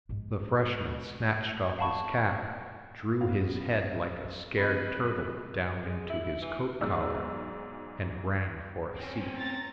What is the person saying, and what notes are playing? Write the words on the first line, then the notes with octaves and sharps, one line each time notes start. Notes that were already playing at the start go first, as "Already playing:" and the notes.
The freshman snatched off his cap, drew his head like a scared turtle down into his coat collar, and ran for a seat.
G#2 G#3
F5 F#5 A5 B5 C#6
B1 F#2 B3 C#4 F#4 F5
F#2 C#3 G#3 C4 B4 D#5 B5
G#3
E4
E4
E3
B1 G#2 D5 E6
C4 C#4
A#5 A6